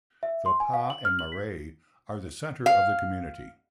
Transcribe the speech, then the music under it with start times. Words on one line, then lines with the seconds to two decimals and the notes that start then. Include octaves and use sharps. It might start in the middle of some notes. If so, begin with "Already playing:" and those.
The Pa and Marae are the centre of the community.
0.23 E5
0.46 C6
0.60 G#5
0.74 F5
0.90 F#7
1.05 F6
1.19 F#7
1.32 B6
2.66 F5